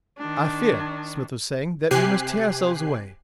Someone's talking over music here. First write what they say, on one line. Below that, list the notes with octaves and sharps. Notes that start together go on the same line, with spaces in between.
'I fear,' Psmith was saying, 'that we must tear ourselves away.
D#3 D4
C3 G4 G#5 F#6 C7